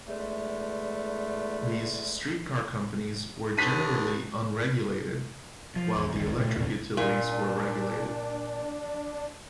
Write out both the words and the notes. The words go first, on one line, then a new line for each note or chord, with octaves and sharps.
These streetcar companies were generally unregulated while the electric utilities were regulated.
E2 D3 G#3 A3
D#2 D4 F#6 B6 D#7
F3
E2
F#1 C#2 D#3
A#2 A3
E2 A#2 D3 C#4
A#2 D4